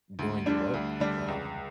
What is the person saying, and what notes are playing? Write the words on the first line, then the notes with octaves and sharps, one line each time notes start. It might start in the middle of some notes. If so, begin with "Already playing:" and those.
doing your work, um,
D2
D3 G3 D4
D2
D3 G3 D4
C#2